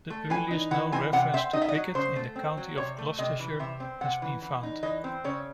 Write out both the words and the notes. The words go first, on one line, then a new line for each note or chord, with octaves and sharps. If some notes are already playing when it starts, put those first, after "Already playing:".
The earliest known reference to cricket in the county of Gloucestershire has been found.
A3
E3 G#5
D#4
E3 F#5
C4 G#5
C3 F#5
C4 E5
D#4 D#5
E5
D#5
F#3
C#3 C5
A3
C4
F#3
C3 C#5
A3
C3 D#5
E3
C3 E5
C4
C3 F#5
E3
E3
D#4
E3 D#5
C4
C#3 C#5